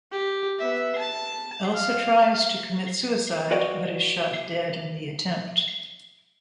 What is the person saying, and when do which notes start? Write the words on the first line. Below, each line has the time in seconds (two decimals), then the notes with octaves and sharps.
Elsa tries to commit suicide, but is shot dead in the attempt.
0.12 G4
0.59 B3 E5
0.98 A5
1.74 F5
3.51 F#4 B4 D5 D#5 F5 G5